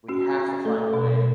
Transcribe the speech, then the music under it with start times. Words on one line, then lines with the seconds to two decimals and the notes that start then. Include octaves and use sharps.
we have to find a way
0.09 C#4 F#4
0.37 C#4
0.65 A3 A4
0.93 B2